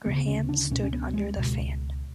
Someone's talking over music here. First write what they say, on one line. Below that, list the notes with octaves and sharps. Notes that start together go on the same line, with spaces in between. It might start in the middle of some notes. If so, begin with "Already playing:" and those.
Graham stood under the fan.
D2 C#3 B3
C#4
D4
C#2 B2 C#4
C#4
B3
G#3
C#2 B2